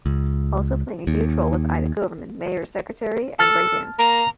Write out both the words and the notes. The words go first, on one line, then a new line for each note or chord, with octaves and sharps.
Also playing a huge role was Ida Koverman, Mayer's secretary and "right hand".
C#2
D#2
A4 A5 F6 A6
A#3 A#5